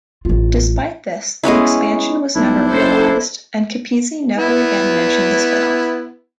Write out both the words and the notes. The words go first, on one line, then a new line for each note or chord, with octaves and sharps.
Despite this, the expansion was never realized, and Capizzi never again mentioned the spin-off.
A1 F4
G#3 B3 C#4 E4
B1 D4 E4
F#1 A4 C5
B3 E4